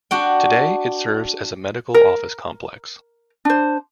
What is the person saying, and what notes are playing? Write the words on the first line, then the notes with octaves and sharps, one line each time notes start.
Today it serves as a medical office complex.
D4 F#4 G5
A#4
D4 C5